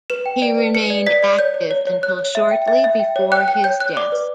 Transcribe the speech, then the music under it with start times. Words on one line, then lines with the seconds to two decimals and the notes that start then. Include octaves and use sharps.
He remained active until shortly before his death.
0.10 B4 E7
0.26 G5
0.42 D5 D7
0.58 B4
0.74 B4 C#7
0.90 D5
1.06 D5 B6
1.23 D5
1.39 C#5 G6
1.54 C#5
1.71 C#5
1.87 C#5
2.03 C#5 F#6
2.19 C#5
2.35 E5
2.51 G5
2.68 E5
2.84 E5
2.99 G5
3.16 C#5
3.32 G5 F#6
3.48 G5 F#6
3.64 C#5 G6
3.80 C#5 F#6
3.97 D5 D6
4.12 B4